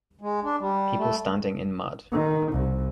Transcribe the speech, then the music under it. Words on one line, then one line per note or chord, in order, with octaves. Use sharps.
People standing in mud.
G#3
D4
G3
A3
D#3
C2